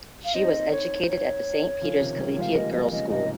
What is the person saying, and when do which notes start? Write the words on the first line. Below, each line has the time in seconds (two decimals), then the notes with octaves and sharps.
She was educated at the Saint Peter's Collegiate Girls' School.
0.24 F5
0.34 C4 D#4 D#5
0.72 C#5
1.01 C5
1.09 C#5
1.81 C#3 F3
1.99 C3 D#3
2.18 D#3 G3
2.37 F3 G#3 F5
2.55 G3 A#3 D#5
2.73 F3 G#3 D#5
2.92 C#3 F3 D#5
3.10 G#2 C3 D#5